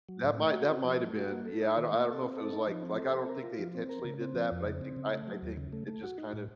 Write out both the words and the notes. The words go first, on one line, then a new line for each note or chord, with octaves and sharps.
That might that might've been. Yeah, I don't I don't know if it was like like, I don't think they intentionally did that, but I think I I think it just kind of
F#3
A2
A3
F#4
C4
F3
A3
F#4
A#3
A4
D#4
D#3
A#3
A4
C4
A4
D#4
F3
C4
A4
C4
A#4
F4
F3
C4
A#4
C#3
C4
F3
F2
C#3
C4
C#3
A3
F#3
D#2
C#3
A3
A3
F#4
D#4
A2